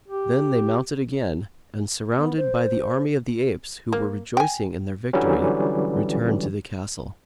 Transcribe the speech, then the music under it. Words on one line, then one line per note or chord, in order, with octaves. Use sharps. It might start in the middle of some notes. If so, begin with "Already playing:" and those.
Then they mounted again and, surrounded by the army of the apes who were rejoicing in their victory, returned to the castle.
G4
B3
C5
A#3
G5 G#5
D3 E3 F#3 G3 C#4